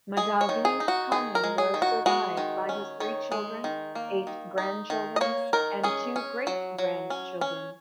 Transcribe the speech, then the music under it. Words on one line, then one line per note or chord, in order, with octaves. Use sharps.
Mahdavi Kani was survived by his three children, eight grandchildren and two great-grandchildren.
G#3 G#4
C#5
D#3
G#4
D#4
F#4
D#3 G#4
A#4
G#3
G#4
D#3
F#4
G#3 F#4
D#3
C#4
D#3 C#5
G#3
D#3
A#3
D#3
D#4
D#3
D#5
A#3 C#5
D#3 A#4
C#4 G#4
C#4
F#3
F#3
C#4
C#4